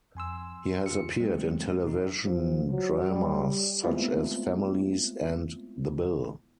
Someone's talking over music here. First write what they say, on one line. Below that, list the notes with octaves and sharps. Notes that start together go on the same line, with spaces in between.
He has appeared in television dramas such as "Families" and "The Bill".
F2 G#5 C6 E6
F4 C#7
F#3 G#3 A3 C4
B2 D#4
F3
F#3
G3
G#3 A3 B3 C4 E4 F4